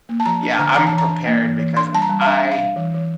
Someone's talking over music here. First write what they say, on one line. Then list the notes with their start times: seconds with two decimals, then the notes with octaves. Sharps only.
Yeah, I'm prepared because I
0.09 A#3
0.20 A5
0.26 F3 A#5
0.42 D4
0.59 D3 A#5
0.76 E3 A#5
0.87 A5
0.93 E3
0.98 A#5
1.09 D4
1.26 A#3
1.42 E3
1.59 E3
1.77 D4 C6
1.93 G3 A5
2.02 A#5
2.09 G3
2.21 F5
2.26 D4 E5
2.43 D4
2.52 F5
2.59 G3
2.76 E3
2.94 E3